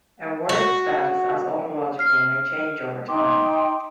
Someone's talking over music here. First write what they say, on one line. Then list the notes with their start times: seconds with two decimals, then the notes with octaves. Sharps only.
A word's status as autological may change over time.
0.49 F#4
1.99 F6 C7
3.09 D#4 G5 C6 D6